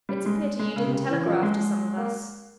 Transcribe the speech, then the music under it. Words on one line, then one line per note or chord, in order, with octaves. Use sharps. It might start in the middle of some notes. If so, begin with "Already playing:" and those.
"It's a pity you didn't telegraph to some of us."
G3
G#3
G#3
C#3
C3
C#3
E3
F3
G#3
A#3